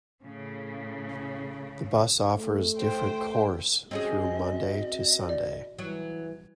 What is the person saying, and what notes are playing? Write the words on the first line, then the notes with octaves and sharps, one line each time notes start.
The bus offers different course through Monday to Sunday.
A2 C#3
A3
C5 G5
C4 C#4 F#4 G#4 D#5
D5
E3 F#3